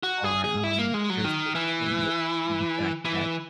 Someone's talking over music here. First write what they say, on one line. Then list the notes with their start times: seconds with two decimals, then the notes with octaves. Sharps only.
are, um, they're sort of indicative to the fact that,
0.03 F#4
0.24 G#4
0.44 G#4
0.64 E4
0.79 A#3
0.94 G#3
1.10 F#3
1.24 D#3
1.55 E3
3.05 E3